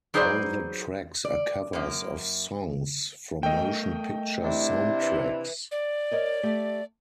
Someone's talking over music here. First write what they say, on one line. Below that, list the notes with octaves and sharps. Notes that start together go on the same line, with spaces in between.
All the tracks are covers of songs from motion picture soundtracks.
F#3 D#4 G#4 B4 C5 D5
D5
F#2 A#3
A3 A4 A#4 D#5 G5
C3 D4 E4
B4 E5
D5
A#4 C#5 D#5
A3 G4